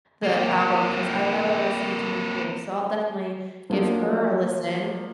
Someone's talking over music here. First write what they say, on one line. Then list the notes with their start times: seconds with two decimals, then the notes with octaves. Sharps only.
the album 'cause I I love listening to new things, so I'll definitely give her a listen.
0.23 A#3 C4
3.70 F3 F#3 A#3 D4